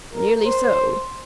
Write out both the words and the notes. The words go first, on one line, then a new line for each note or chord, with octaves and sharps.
"Nearly so."
A#4
C5